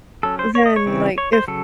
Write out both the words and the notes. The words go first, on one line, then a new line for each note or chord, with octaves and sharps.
then, like, if
F#3 C#4 A4
C5
C#5
D#5
C#5
C#3 E3 C4
C#5
C5
C#3 F#3 A4